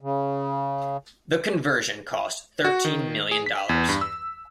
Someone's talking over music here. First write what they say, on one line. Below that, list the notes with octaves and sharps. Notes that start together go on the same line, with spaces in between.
The conversion cost thirteen million dollars.
C#3
F#4
D#3
G#4
B6
E2
G2
E6